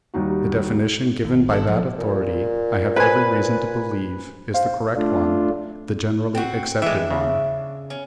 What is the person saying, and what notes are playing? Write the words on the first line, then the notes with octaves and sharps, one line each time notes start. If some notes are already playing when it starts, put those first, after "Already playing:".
The definition given by that authority I have every reason to believe is the correct one, the generally accepted one.
D#2 G3 D#4 F#4
G#1
B3 E4 A4
B1 A2 F3
A#2
B4 C5 G#5 B5
C5 F5
A3 D4 F4
C4 F#4
E3 G#3 D4 E5
C#3
C#4